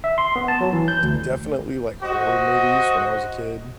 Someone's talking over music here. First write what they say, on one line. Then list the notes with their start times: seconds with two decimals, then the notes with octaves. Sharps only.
definitely like horror movies when I was a kid,
0.04 E5
0.18 C6
0.36 B3
0.48 A5
0.61 F#3
0.73 E3
0.88 G6
1.03 D2
2.03 F#4 C5 D#5